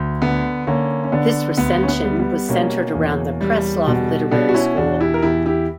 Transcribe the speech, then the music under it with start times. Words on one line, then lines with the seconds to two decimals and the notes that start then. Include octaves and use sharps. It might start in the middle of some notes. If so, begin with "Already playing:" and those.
This recension was centred around the Preslav Literary School.
Already playing: D2
0.22 D3 B3
0.67 D3 A#3 C#4
1.04 C#4
1.12 D3 B3 D4
1.57 D2 B3
1.83 C#4
1.88 B3
2.04 G3
2.19 B3
2.49 B2 A#3 C#4
2.95 E2
3.41 G3
3.87 B2
4.31 B2 B3 D4
4.49 F#4
4.54 C#4 E4
4.77 E2 D4 F#4
5.00 E4 G4
5.14 A#4
5.22 E2 E4 G4
5.46 E4 G4